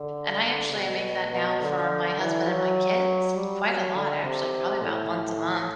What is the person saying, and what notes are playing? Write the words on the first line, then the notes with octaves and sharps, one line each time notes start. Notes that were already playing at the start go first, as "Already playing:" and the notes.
And I actually, I make that now for my husband and my kids quite a lot, actually, probably about once a month.
Already playing: D3
D3
B2
B2
D3
E3
F#3
G3
F#3
D3
C3
A2